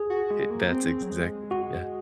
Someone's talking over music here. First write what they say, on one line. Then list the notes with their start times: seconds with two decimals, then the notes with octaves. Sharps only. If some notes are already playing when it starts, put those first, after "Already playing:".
It that's exactly Yeah.
Already playing: G#4
0.10 F#4
0.31 G#3
0.50 A#3
0.71 C4
1.03 F#3
1.11 G#3
1.51 F#4